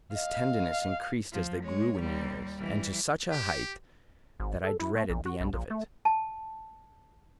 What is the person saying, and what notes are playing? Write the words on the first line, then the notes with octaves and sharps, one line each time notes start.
This tenderness increased as they grew in years, and to such a height, that I dreaded the end of it.
D#5 F5
F3
G#3 C#5
D#2 G3
E3 G3
G4
G#1
A4
E4
A3
A#1
F#4
B1
A#1
A3
A5